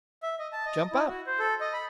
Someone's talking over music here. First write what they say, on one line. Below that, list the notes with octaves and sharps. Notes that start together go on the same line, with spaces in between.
"Jump up."
E5
D#5
A5
D#5
E4
F#4
C5
A4
D#5
B5